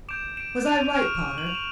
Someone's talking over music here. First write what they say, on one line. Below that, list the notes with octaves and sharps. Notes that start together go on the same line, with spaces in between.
Was I right, pater?
D6 G6 D7 E7
D7 E7
D#7 F7
C#6 F6 D7 E7
F#7
F7
E7